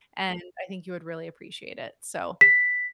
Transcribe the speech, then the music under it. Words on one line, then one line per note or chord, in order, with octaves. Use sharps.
and I think you would really appreciate it. So,
B6